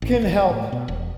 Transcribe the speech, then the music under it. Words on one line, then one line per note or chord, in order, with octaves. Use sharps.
can help.
A1
D1
A2
B2
E1